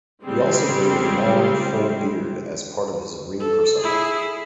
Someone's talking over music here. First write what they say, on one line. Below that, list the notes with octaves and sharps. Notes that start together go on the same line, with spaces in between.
He also grew a long, full beard as part of his ring persona.
C#3 G3 G#3 C4
A4
E4 G#4